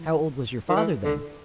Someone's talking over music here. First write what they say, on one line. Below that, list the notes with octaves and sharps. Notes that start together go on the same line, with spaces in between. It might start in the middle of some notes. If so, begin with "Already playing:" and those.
"How old was your father then?"
Already playing: E3
D#3
E3
D3